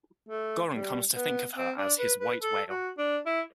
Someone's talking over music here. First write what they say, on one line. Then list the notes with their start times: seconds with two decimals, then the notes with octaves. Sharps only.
Goren comes to think of her as his "white whale".
0.29 A3
0.71 G3
1.14 B3
1.57 C4
1.78 D4
1.99 B4
2.20 B4
2.41 A4
2.70 F#4
2.98 D4
3.26 E4